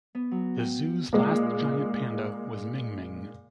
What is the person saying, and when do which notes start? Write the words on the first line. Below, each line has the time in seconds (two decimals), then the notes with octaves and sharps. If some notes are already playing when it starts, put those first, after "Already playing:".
The zoo's last giant panda was Ming Ming.
0.15 B3
0.31 F#3
0.59 G5
1.13 A#2 G#3